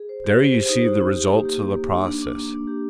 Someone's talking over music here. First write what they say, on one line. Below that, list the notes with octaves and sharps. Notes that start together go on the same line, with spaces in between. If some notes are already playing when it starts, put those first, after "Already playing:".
There you see the results of the process.
Already playing: G#4
C5
G4
C5
C5
D#4
D#4
D#4
G4
A#3
G4
A#3
A#3
D4
D4
D4
A#3
A#3
G4